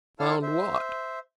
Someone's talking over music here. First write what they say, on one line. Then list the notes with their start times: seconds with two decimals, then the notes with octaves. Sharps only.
"Found what?"
0.20 E4 A4 C#5 F5 A5 F6
0.42 C5 E5